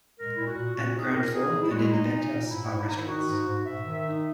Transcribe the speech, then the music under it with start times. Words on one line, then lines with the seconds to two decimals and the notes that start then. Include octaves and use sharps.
At ground floor and in the penthouse are restaurants.
0.18 G#3 A#4
0.36 A#2 E4
0.47 F#4
0.57 A#2
0.76 A#2 F#4
0.95 D#4 G#4
1.14 A#2 A#4
1.33 D#4 G#4
1.53 G#3
1.63 E4
1.71 G#3 F#4
1.79 E4
1.92 A#2 D#4
2.12 A#2
2.30 A#2
2.49 G#2 E4
2.69 G#2
2.79 E4
2.88 D#3 D#4
2.97 E4
3.08 D#4 F#4
3.27 G#2
3.47 G#2
3.66 G#2 E5
3.85 D#3
4.05 D#4